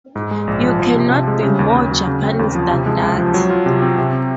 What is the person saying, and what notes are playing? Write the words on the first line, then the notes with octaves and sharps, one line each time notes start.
You cannot be more Japanese than that.
G#2
G#3
A#1
F3
F3
C3
C3
G#3
C#3
D#2
D#2
F#3
C#3
C4
D#2
F3
C3
G#3
C#2
F3
F#3
F4
C3
C4
C3